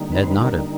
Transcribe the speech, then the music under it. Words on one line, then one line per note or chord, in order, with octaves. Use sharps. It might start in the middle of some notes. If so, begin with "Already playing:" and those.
Ned nodded.
Already playing: D3 G3 A#3 D#4
B4
C5
B4
A#4